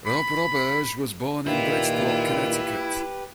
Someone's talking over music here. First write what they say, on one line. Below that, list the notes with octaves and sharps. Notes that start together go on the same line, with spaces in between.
Rob Roberge was born in Bridgeport Connecticut.
B5
A#2 D#3 A#3 E4 F4 G4 B4